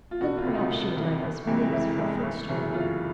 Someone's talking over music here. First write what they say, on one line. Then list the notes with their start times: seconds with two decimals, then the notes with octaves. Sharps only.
Then perhaps she would like this valise for a footstool?
0.11 F4
0.21 E1 F#4
0.38 F4
0.46 D2 C3
0.55 D#4
0.71 E1
0.97 D2 C3
1.22 G1
1.47 F2 C3 E3 G#3
1.72 G1 E4
1.98 F2 C3 E3 G#3
2.23 G1
2.48 F#2 C#3 E3
2.74 G1 F4